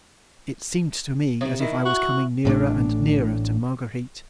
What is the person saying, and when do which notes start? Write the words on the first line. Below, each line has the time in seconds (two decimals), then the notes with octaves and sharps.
It seemed to me as if I was coming nearer and nearer to Marguerite.
1.41 C3
1.60 D#3 E4
1.85 F#4
2.45 A1 A2 A3 D4